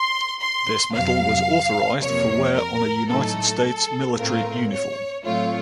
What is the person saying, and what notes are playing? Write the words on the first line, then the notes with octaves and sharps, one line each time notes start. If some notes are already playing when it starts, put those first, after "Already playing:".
This medal was authorized for wear on a United States military uniform.
Already playing: C6
C6
F2 C3 F#3 F5
F2 C3 F3 A#3 C#5
A#4
A2 F#3 A3 D#4 A4
A2 A3 C4 F4 A#4
C#5
A2 F#3 A3 C4 F4 C#5